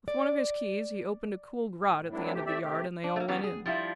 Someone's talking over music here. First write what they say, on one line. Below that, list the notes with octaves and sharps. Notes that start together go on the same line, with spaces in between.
With one of his keys, he opened a cool grot at the end of the yard, and they all went in.
D5
A2
D#3 F#3 G#3 C4 D4 E4
D2 C3 E3 A3 G4
A3 C4 G4 D5 E5 E6
C3 A3 C4 G4
D4
A3 A#3
E3 F#3 G3 B3 C#4
G#4
F3 G3 E4 F4